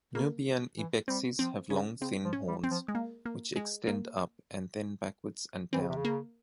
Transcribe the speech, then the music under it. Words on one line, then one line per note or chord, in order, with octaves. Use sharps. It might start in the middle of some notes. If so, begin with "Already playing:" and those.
Nubian ibexes have long thin horns which extend up and then backwards and down.
C#3 A#3
E3
G3 C4
F3 C4
C#3 C#4
C#3 C4
F3
C#4
G3
C4
F3
G#3
A#3
A#3
G#3
A#3
E3 C4
C#3
C3
C#3
A#3